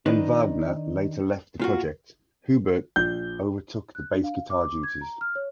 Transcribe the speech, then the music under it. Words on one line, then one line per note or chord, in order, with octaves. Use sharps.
When Wagner later left the project, Hubert overtook the bass guitar duties.
D#3 D4 D#4 B4
A#2 F4 F#4
A#1 G6
F#6
D4
F5
D6
G#6
A#5
F6
C#5